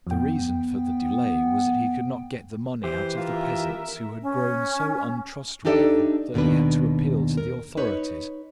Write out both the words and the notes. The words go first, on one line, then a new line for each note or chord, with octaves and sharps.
The reason for the delay was that he could not get the money out of the peasants, who had grown so untrustworthy that he had to appeal to the authorities.
F2 B3 G5
E3 G4 C5
F4 A#4 E5
C#4
D4 D#4 G4 A4 D5 E5
D#2 B2 D#3 D4 B4
A#4
D#4 B4 C#5